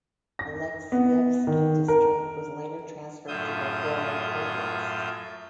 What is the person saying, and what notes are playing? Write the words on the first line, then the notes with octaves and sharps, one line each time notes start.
Alexeyevsky District was later transferred to Belgorod Oblast.
A#6
B3
D#3
A#4
F#2 A2 F4 E5 D#6 G6